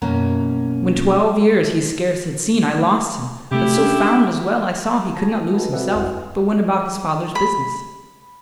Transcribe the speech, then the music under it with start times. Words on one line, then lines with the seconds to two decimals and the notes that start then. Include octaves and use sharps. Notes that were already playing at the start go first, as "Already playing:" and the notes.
When twelve years he scarce had seen, I lost him, but so found as well I saw He could not lose himself, but went about His Father's business.
0.02 F#2 B2 A#3 C#4 A#5
3.51 C3 A3 E4 G4
3.76 C#4 D4
5.14 G#5 A5 A#6
5.35 D#6
5.54 F#4 A4 B4 D#5
5.72 C4 F#4 B4 D5 E5 F#5
5.94 G1 F2 E4 F5 F#5
7.35 B5